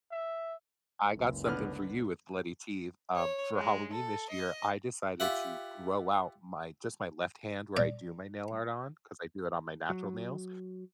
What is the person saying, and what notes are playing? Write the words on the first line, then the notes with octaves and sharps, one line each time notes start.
I got something for you with bloody teeth, um, for Halloween this year, I decided to grow out my just my left hand where I do my nail art on, 'cause I do it on my natural nails.
E5
F#1 C#2
D3 B3 F6
C#5
G#3
A4
D#5
F4 G4 E5 F#5
D5
F#3